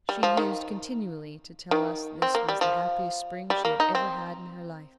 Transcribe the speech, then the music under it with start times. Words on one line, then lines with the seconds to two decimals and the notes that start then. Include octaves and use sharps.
She used continually to tell us this was the happiest spring she had ever had in her life.
0.09 G3
0.23 F3
0.37 D#3
1.71 D#3
2.22 C4
2.35 A#3
2.48 G3
2.61 F3
3.50 G3
3.65 A#3
3.80 D#4
3.95 C4